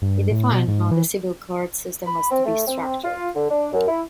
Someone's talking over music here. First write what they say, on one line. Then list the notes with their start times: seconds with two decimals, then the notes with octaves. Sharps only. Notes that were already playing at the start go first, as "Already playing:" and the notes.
It defined how the civil court system was to be structured.
0.02 G2
0.31 A2
0.52 B2
0.68 G#2
0.91 E3
2.05 B5
2.31 C4
2.46 A3
2.67 C4
3.03 F4
3.35 D3
3.50 D4
3.73 F#2
3.88 E4